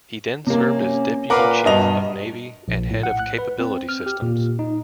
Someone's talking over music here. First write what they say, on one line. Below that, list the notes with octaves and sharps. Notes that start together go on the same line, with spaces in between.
He then served as Deputy Chief of Navy and Head of Capability Systems.
C3 A#3 C#4
A#2 A#4 B4 F5 F#5 D6
G2 B2 D#5 F7
A#1
A2
F#5
F#6
B4
C4
F6
G4
A#2
D#4